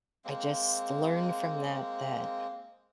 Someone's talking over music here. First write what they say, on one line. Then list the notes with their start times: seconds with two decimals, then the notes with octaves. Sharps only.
I just learned from that that
0.25 G#3 A#3 C4